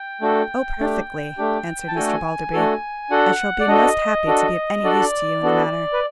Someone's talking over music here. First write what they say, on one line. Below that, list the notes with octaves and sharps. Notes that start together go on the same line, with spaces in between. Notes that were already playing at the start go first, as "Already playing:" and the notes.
"Oh, perfectly," answered Mr. Balderby; "I shall be most happy to be of any use to you in the matter."
Already playing: G5
A3 D4 F#4 A4
A3 D4 G4
A3 D4 G4
A5
A3 D4 F#4 A4 G#5
A3 D4 F#4 A4
D4 F#4 A4 F#5
D5
D4 F#4 A4 D#5
D4 F#4 A4
D4 F#4 A4 D5
B3 D4 F#4 A4
B4